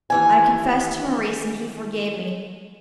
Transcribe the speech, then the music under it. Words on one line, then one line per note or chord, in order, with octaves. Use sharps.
I confessed to Maurice, and he forgave me.
D#2 E3 G#5